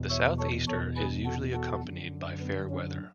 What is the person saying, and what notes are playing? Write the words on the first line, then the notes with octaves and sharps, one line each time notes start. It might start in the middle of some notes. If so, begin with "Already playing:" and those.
The South Easter is usually accompanied by fair weather.
Already playing: E2 B2
C#5 E5
A4 C#5
E2 B2 A4 C#5
G#4 B4
F#4 A4
F#4 A4
F#2 D3
B3
C#4